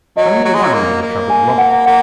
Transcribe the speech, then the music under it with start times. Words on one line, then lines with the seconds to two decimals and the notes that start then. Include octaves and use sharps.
Only one matter troubled Robin.
0.17 F#3 D#5
0.45 F#3
0.54 G#3
0.63 F#3
0.73 A#3
1.02 A#3
1.30 G#5
1.58 F#5
1.86 A#3 F#5